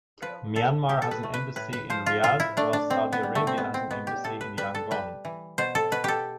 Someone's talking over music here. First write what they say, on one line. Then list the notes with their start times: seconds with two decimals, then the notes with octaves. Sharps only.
Myanmar has an embassy in Riyadh whilst Saudi Arabia has an embassy in Yangon.
0.22 F3 B4
0.55 A2 A4
0.89 A2 G4
1.02 A4
1.11 B4
1.23 A3
1.34 B4
1.56 A2 B4
1.73 B4
1.90 F3 C5
2.06 F4
2.23 A2 F4
2.40 E4
2.57 A3 D4
2.73 D4
2.90 B2 C4
3.13 B3
3.23 G3
3.35 A3
3.47 C4
3.57 B2 B3
3.74 C4
3.91 B2 B3
4.07 G4
4.24 A2 A4
4.41 B4
4.57 G3 B4
4.75 A4
4.91 G3 B4
5.25 E3
5.58 B2 C5
5.75 A4
5.92 B2 B4
6.04 G4 A4